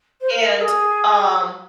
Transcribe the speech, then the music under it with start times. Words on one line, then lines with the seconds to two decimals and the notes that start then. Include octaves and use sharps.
and, um,
0.20 C5
0.30 A#4
0.60 G#4